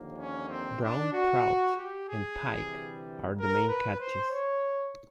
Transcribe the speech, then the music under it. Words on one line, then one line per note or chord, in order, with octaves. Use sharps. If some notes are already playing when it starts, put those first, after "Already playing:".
Brown trout and pike are the main catches.
Already playing: D#2 D3 F3 A#3
C#4
C4
D4
F#4
G4
G#4
D2 C3 E3 G3
A#4
B4
C5
C#5